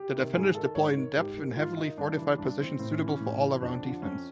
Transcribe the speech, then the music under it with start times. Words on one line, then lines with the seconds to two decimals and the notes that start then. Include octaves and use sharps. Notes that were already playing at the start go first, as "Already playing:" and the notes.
The defenders deploy in depth in heavily fortified positions suitable for all-around defence.
Already playing: G4
0.13 C3 D#3
0.34 G#2 G#4
0.54 D#3 A4
0.75 G#2 C#5
0.96 D#3
1.16 G#2 G4
1.37 D#3
1.57 G#2 F4
1.77 D#3 D#4
1.98 G2 D4
2.18 E3
2.38 G2 D4
2.59 E3 C4
2.79 A2 C4
2.93 C#4
3.00 E3
3.07 C#4
3.20 A2
3.41 E3
3.61 F2 D4
3.82 D3 F3
4.02 F2 C#4